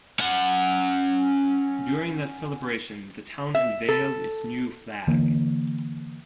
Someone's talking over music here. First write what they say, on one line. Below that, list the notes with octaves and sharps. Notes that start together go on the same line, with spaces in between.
During that celebration, the town unveiled its new flag.
C#4 F#5
E5
A4
D3 E3 A#3